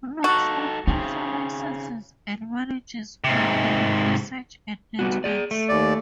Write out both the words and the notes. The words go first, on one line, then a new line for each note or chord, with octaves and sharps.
LookSmart also licenses and manages 'white label' search ad networks.
D#4 F#4 A4
C#3 C4 D#4
G#2 C3
G3 B3 F#4
G#4 D5
A3
D#2 D5